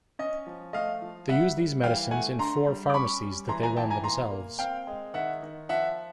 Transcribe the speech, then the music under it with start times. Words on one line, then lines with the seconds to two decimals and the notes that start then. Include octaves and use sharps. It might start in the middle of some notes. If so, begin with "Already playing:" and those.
They use these medicines in four pharmacies that they run themselves.
0.19 C#4 D#5
0.47 F3
0.73 A3 D#5 F5
1.02 F3
1.29 G3 E5 F#5
1.57 G3
1.83 E3 F5 G5
2.11 A3 F#5 G#5
2.39 D3 A#5 C6
2.67 G3
2.90 D6
2.94 C#4 B5 C#6
3.22 G3
3.49 E3 A#5 C6
3.63 G#5 A#5
3.76 E3 G5 A5
3.90 G#5 A#5
4.04 A#2 A#5 C6
4.31 A#3
4.59 C4 F5 G5
4.87 G#3
5.14 D#3 E5 F#5
5.42 D#3
5.69 F3 E5 F#5